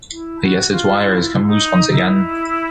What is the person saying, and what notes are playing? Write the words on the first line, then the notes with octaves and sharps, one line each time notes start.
I guess its wire has come loose once again.
E4
F#4
F4
E4
D#4
E4